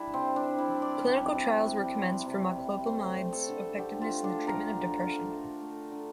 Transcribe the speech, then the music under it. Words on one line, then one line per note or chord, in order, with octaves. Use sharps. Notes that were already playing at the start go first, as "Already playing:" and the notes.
Clinical trials were commenced for moclobemide's effectiveness in the treatment of depression.
Already playing: G3 D4 E4
C3 C4
D4
G3
E4
G3
D5
C3
C3
G3
G3
C3
C3
A3 C5
A3
A4
D3
D3 G4
F4
A3
D4
A3
A#4
D3
D3
A3
A3
D3